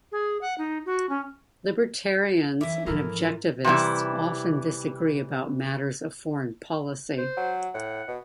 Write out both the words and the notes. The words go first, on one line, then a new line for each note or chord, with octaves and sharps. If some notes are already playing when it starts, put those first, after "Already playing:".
Libertarians and Objectivists often disagree about matters of foreign policy.
G#4
F#5
D#4
F#4
C#4
F#2 E3 E5 D6
G#2 F3 E4 A4 A#4
F4
C3 E3 G3 E4
C5
F#3
A2 F#5
B2